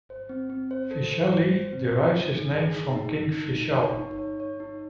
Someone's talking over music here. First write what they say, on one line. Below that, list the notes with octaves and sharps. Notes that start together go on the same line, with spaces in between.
Vaishali derives its name from King Vishal.
C5
C4
C4
C5
A4
C5
C5
C5
C4
C5
D#4
G#4
G#4
D#4
D#4
D#4
D#4
D#4
C#5
D#4
C#5
C#5
D#4